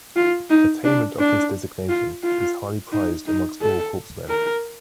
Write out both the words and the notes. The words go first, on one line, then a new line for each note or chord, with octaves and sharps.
Attainment of this designation is highly prized among all corpsmen.
F4
D#4
D4
D4
F4
F4
D#4
D#4
A4
A#4